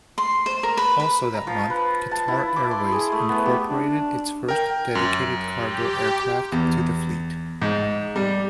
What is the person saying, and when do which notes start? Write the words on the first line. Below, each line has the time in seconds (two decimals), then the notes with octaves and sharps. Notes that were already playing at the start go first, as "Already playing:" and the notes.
Also that month, Qatar Airways incorporated its first dedicated cargo aircraft to the fleet.
0.18 C6
0.46 C5
0.63 A#4
0.77 B4
1.00 B4
1.34 A#5
1.47 F3
1.70 B4
2.11 A5
2.28 E4
2.56 D6
2.71 C6
2.92 G#4
3.12 A3
3.29 B3
3.46 G4
3.70 D4
4.48 A#4 G5
4.95 F#2
5.55 G4
6.52 E2
7.62 G#2
8.16 G3